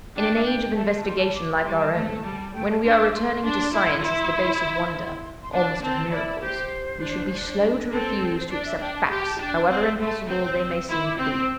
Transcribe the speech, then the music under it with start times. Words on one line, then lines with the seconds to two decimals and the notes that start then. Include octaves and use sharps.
In an age of investigation like our own, when we are returning to science as the base of wonders--almost of miracles--we should be slow to refuse to accept facts, however impossible they may seem to be.
0.16 D4 G5
0.35 E5
0.45 G5
0.75 A3 A5
0.86 C6
0.97 A5
1.04 G3 C6
1.19 A5
1.35 D6
1.55 C6
1.64 G3
1.74 A5
1.95 A3
2.25 G3
2.54 A3 G5
2.70 A5
2.84 D4 C6
2.98 D6
3.14 A3 C6
3.44 D4
3.74 E4
4.03 E4
5.43 C6
5.52 D4 A5
5.82 C4 A5
6.12 E4 D5
6.41 G4 C5
7.01 D4
7.31 D4
7.91 C4 A4
8.38 C5
8.50 D4 D5
8.66 E5
8.80 D4 G5
8.95 A5
9.10 G4 C6
9.21 G5
9.25 A5
9.40 D4 G5
9.55 A5
9.70 C4 C6
9.84 E6
9.99 A3 C6
10.29 C4 G6
10.45 G6
10.59 E6
10.75 E6
10.89 E4 C6
11.04 D6
11.18 C4 E6
11.34 E6